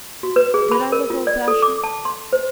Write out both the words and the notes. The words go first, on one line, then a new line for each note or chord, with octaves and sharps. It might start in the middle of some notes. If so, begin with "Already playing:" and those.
Did I look old fashioned?
F#4
B4
G#4
B5
A#4
F4
D5
A4
D6
A5
C6
C5